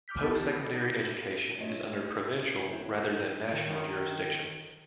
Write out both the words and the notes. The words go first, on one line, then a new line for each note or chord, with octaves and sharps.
Post-secondary education is under provincial, rather than national, jurisdiction.
D6 F6 G6 B6
B3 D#4 G4 A4
A3 D4 F4 C#5 D#5 E5
E4
D#2 C3 F#3 E4 C5 C#5
D#3